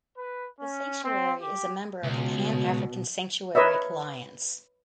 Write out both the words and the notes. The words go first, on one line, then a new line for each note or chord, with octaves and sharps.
The Sanctuary is a member of the Pan African Sanctuary Alliance.
B4
C#4
C4
G4
C#2 B2
A#4 B4 C#5 D#5 E5